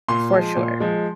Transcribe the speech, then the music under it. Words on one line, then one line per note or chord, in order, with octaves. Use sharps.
For sure.
A#2 C6
F3 G#3
A#2
F3 G#3